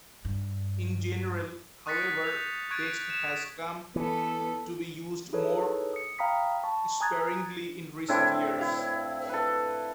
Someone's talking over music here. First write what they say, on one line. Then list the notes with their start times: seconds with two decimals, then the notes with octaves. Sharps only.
In general however, text has come to be used more sparingly in recent years.
0.25 G2
1.86 C#6 D#6 F#6 A6 B6 C#7
2.24 G6 F7
2.71 C#6 F#6 G#6 A6 D7
3.10 E7 F7
3.96 E3 B3 A4
5.33 D#4 E4 G#4 A4 B4 C#5
5.93 D#6 C#7
6.19 F5 G5 A#5 B5 D#6 B6
6.64 A5 B5 C#6
7.00 G#5 A#5 D#6 F#6 G#6 A6
8.08 A2 D3 C4 E4
8.59 E4 F5
9.29 A4 B4